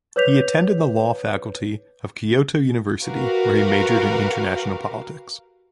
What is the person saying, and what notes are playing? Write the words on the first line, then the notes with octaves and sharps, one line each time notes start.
He attended the law faculty of Kyoto University, where he majored in international politics.
B4 C#5 D6 G6 B6 F7
F#4 G4 A#4 B4 F5